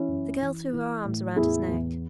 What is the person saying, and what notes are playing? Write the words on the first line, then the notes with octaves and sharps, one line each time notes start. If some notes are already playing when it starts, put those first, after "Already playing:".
The girl threw her arms round his neck.
Already playing: E3 C#4 E4
F#2
E3
E3
A2
E2 E4 G#4
E2